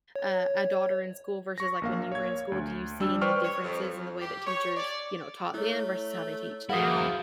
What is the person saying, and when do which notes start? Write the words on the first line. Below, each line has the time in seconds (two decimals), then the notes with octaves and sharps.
a a daughter in school versus, like, when you were in school, do you see any differences in the way that teachers, you know, taught then versus how they teach now?
0.16 C#5
1.58 C#6 A#6
1.82 A#1 A#3 F5
2.12 C#5 G#6
2.52 D2
3.00 G3 D4 E6
3.21 B4 C5 D5 G5 C#6 F6
3.45 C#5
3.64 F2
3.83 F2
4.21 G4
4.47 C#5
4.77 D5
5.54 A3 E4 C#5
6.70 F3 E4 F#4 G#4 A#4 F5 F#5 D#6